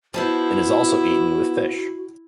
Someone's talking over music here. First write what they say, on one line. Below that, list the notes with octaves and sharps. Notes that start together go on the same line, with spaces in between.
It is also eaten with fish.
F3 B3 E4 F#4 C5 A5